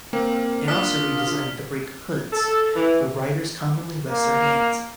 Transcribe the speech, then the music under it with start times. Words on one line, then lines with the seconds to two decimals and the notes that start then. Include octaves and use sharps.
It also redesigned the brake "hoods" where riders commonly rest their hands.
0.13 A#3 C4 A#4
0.68 D4 F4 A5 D#6 F6 B6
2.32 A4
2.75 E3
4.08 A#3